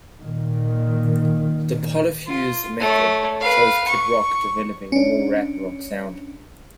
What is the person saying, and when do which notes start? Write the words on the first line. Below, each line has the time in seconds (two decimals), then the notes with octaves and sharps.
"The Polyfuze Method" shows Kid Rock developing a more rap rock sound.
0.22 A#2 D#3
2.27 F4
2.80 A3 C#5
3.40 B4 F5
3.87 C#6
4.92 C#4 D4